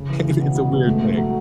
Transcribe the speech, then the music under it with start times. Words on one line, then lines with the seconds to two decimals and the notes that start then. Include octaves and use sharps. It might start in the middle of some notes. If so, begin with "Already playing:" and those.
it's a weird thing.
Already playing: C#3
0.10 E3
0.25 C#3
0.40 B2
0.55 C#3
0.72 B3
0.86 A3
1.02 A3
1.17 F#3